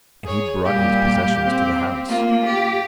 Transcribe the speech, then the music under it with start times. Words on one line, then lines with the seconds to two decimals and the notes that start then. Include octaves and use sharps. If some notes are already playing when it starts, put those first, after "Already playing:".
And he brought his possessions to the house.
0.24 G#4 C#5
0.65 A#2 G3 G4 F5
1.45 C4
2.09 A#3 F4
2.45 G4